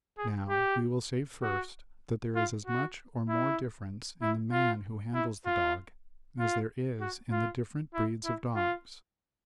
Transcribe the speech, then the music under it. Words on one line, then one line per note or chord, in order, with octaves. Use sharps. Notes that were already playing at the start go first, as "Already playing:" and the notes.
Now, we will say first that there is as much or more difference in the man who handles the dog as there is in the different breeds of dogs.
G#4
G4
F#4
F4
F#4
E4
E4
F4
E4
F4
F4
F#4
F4
E4
E4
F4